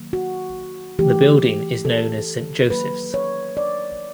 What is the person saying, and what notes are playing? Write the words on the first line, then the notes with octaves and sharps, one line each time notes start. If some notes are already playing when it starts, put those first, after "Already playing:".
The building is known as Saint Joseph's.
Already playing: D#3 F#3 A#3
F#4
E3 A3 G4
A4
D#3 F#3 A#3 B4
C#5
D5